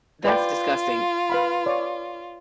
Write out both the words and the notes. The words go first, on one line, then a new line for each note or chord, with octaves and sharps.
That's disgusting.
F4 B4 D5 G5
B4 F5 B5
C#5 D5